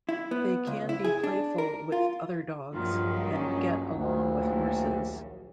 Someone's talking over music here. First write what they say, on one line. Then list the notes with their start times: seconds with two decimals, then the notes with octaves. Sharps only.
They can be playful with other dogs, and get along with horses.
0.09 E4
0.31 B3
0.67 C#2
0.89 E4
1.04 G#4
1.24 D4
1.58 A#4
1.92 F4
2.74 A#1 G2 D#3 F3 F#3 F4
3.34 C#4
3.91 D2
4.41 D#2